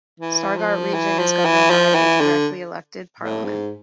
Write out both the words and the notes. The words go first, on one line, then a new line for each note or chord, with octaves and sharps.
Stuttgart Region is governed by a directly elected parliament.
E3
F3
E3
F3
E3
F3
E3
D3
A2
G#2